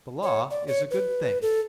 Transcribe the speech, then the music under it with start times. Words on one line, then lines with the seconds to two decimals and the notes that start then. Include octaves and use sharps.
The Law is a good thing.
0.23 C#5
0.51 D5
0.68 C#5
0.91 B4
1.42 A4